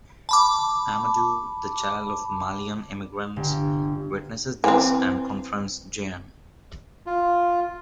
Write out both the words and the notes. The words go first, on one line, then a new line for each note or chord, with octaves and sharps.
Amadou, the child of Malian immigrants, witnesses this and confronts Jean.
A5 B5 D6
G1
E3 C4
F4